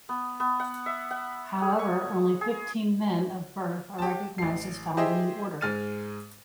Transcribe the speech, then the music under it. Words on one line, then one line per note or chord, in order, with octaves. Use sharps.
However only fifteen men of birth are recognized as founding the Order.
B3
B3
F#5
E5
F#5
G#4
C#6
G#4
G4 A5
A1 C7
G4 G#4 C5 D#5 E5
G#2 G#3 F6 A6 D#7